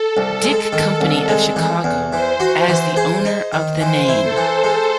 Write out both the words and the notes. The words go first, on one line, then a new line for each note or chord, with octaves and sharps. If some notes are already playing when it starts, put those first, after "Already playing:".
Dick Company of Chicago as the owner of the name.
Already playing: A4
C2
G#3
D#3
C2
G#3
E3
E2
E3 C5
F#4
E3
G#4
D#4
D#3
E3 C5
E4
A4
E3
G#3